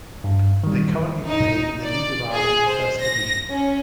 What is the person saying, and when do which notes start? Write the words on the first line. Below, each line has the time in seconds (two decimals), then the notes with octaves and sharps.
They currently play in the League of Ireland First Division.
0.24 G2
0.64 D#3 G3
1.27 D#4
1.85 D5
2.31 G#4
2.69 C5
3.02 A#6
3.50 C#4